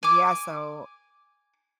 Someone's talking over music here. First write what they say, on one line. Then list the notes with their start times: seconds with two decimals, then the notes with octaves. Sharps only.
Yeah, so
0.03 G#5 D6